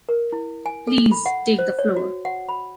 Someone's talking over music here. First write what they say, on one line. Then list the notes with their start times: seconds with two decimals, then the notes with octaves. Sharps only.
Please, take the floor.
0.09 A#4
0.32 E4
0.66 G#5
0.87 A4
1.11 B5
1.26 F#5
1.59 C5
1.79 C#5
1.97 F#4
2.25 F#5
2.49 B5